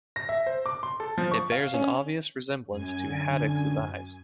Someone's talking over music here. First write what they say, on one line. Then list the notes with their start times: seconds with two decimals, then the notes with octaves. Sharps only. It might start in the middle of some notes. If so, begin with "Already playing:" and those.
It bears an obvious resemblance to Haddocks' Eyes.
0.16 A#6
0.29 E5
0.46 C5
0.66 D6
0.83 C6
1.00 A4
1.18 F3
1.31 C#6
1.52 F5
1.74 C#4
2.69 F#2 G#5
3.04 D3